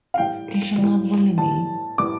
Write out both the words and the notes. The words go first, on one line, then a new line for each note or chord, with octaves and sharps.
He shall not bully me.
F5
A2 G3 G5
A2 G3
A2 G3 A5
A2 G3 D6